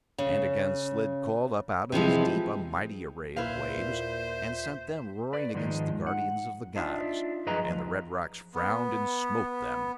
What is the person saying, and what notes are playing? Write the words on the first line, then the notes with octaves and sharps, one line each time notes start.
And again Slid called up out of his deep a mighty array of waves and sent them roaring against the guardians of the gods, and the red rocks frowned and smote them.
C#3
C3 E3 F3 G#3
D#2 A#2 E4 B4 C5 E5 F5
B4 D5
G#2 D#3 F3 G#3 D#4
F#5
D4 D#4 F4 E5
F#2 F3 G#4 B4 D#5 A#5
F3
B3